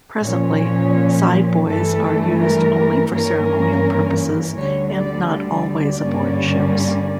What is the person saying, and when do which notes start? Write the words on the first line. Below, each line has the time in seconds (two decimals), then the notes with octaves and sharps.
Presently, Sideboys are used only for ceremonial purposes and not always aboard ships.
0.22 A#2 F3 C#4 C#5
1.66 G2 E3 A3 A4
2.40 A#4
3.12 G2 E3 A#3 C#4 A#4
4.56 D2 D3 G3 C#5
4.93 D5
5.29 D5
6.01 G2 D3 G3 A#3 C#4